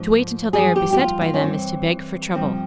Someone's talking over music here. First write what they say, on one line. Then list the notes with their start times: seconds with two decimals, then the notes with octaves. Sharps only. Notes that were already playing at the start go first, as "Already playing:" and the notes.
To wait until they are beset by them is to beg for trouble.
Already playing: G#2 F3
0.53 G2 F3 G#4
0.76 G4
0.93 G4
0.99 F4
1.21 F4
1.34 C#4
1.43 G2 E3 C4
2.35 G2 F3 C4